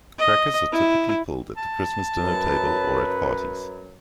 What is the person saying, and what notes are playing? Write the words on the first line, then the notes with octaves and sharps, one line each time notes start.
Crackers are typically pulled at the Christmas dinner table or at parties.
D#5
E4
A5
F#2 F#3 B4